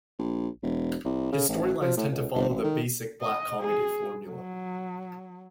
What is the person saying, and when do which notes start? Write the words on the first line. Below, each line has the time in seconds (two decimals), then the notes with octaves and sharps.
His storylines tend to follow the basic black comedy formula.
0.19 A#1
0.63 E1
1.05 C2
1.32 C#3
1.49 A1
1.81 F3
1.97 A2
2.12 C#2
2.35 G1
2.49 A1
2.64 D#3
3.21 D#5
3.60 G#4
4.27 F#3